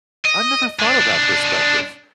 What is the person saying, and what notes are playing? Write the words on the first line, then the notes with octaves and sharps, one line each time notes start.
I've never thought of that perspective.
D#5
G#3 D4